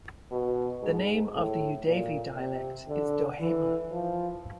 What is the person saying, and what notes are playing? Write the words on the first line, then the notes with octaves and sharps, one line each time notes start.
The name of the Eudeve dialect is "Dohema".
B2
G#2
A2
A#2
C3
D3
E3
F3